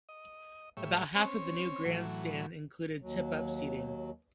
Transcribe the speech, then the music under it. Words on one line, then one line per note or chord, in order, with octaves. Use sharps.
About half of the new grandstand included tip up seating.
D#5
A2 G3 C#5 E5
C4 C#4 C#5
A2 E3 F#3
D#2 F#3